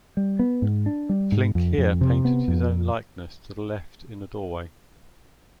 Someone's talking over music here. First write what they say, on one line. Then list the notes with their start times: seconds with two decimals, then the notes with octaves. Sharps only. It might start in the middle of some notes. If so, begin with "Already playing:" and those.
Flinck here painted his own likeness to the left in a doorway.
0.17 G3
0.39 B3
0.62 G#2
0.86 D4
1.09 G3
1.32 G#2
1.55 F2
1.78 F2
2.01 C3
2.25 B3
2.48 F2